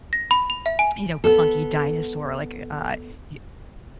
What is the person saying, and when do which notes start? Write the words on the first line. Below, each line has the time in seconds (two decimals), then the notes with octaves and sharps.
you know, clunky dinosaur, like, uh, uh, y
0.13 A#6
0.31 B5
0.50 F7
0.66 E5
0.79 G#5
1.24 B3 A4